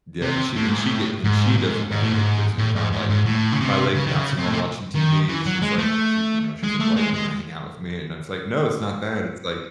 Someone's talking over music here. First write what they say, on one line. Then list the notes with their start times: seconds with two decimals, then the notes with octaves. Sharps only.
Yeah. And she and she get and she doesn't like it 'cause if I'm like my leg is bouncing while watching TV, she's like she, you know, she's like, "Why, you don't wanna hang out with me?" And I was like, "No, it's not that." It's like
0.22 C3
0.56 A2
0.67 G#2
0.78 A2
1.24 G#2
1.47 A2
1.57 G#2
1.91 G#2
2.02 A2
2.12 G#2
2.58 A2
2.76 G#2
2.92 G#2
3.10 G#2
3.26 A2
3.52 C#3
3.60 C3
3.94 C#3
4.07 D#3
4.16 C#3
4.38 C3
4.46 A2
4.53 C3
4.95 D#3
5.28 E3
5.46 F#3
5.62 G#3
5.78 A3
6.63 G#3
6.80 A3
6.96 G#3
7.14 G#3